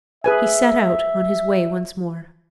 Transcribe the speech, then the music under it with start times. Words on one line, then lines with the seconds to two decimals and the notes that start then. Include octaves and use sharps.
He set out on his way once more.
0.24 G#4 B4 E5 G#5